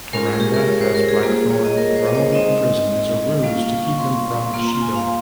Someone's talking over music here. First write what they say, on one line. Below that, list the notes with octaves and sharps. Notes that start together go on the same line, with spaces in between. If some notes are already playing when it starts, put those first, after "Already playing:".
Toranaga has Blackthorne thrown in prison as a ruse to keep him from Ishido.
G#3 C#4 F4 A#4
G#4
G4
A#4
C#5
C5
A#4
G#4
G3 A#3 F4 G#4
G#4
C#5
D#5
A#4
C5
D#5
C#5
G#3 C4 D#4 D#5
G3 A#3 C#4 F4 F5
F5
C#6
C6
A#3 F4 C6
A#5
G#5
F5